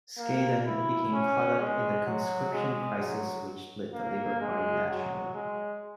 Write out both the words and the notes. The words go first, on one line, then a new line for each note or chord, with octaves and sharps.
Scaddan became caught up in the conscription crisis which split the Labor Party nationally.
A#3
E4
C#4
G#3
F#3
G#3
F#3
A#3
G#3
F#3
G#3